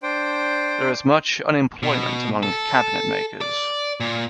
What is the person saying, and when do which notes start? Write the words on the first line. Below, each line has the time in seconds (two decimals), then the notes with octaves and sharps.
There is much unemployment among cabinetmakers.
0.03 D4 C5 G5
1.83 B2
2.43 A4
3.41 D5
4.00 A#2